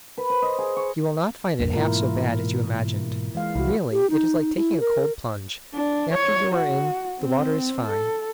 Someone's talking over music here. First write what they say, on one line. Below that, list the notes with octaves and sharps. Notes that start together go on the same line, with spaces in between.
You will not find it half so bad as you imagined; really, it is like taking a cold plunge: after you are in, the water is fine.
B4
C5
D#5
G#4
C#6
A1 E2 G2 A#3
G#2 B2 E3 E4 F4 A#4
E3 G#3 F5
C2 E4 F#4
G4
D#4
E4
A#4
D4
C#5
F#4
C4
A4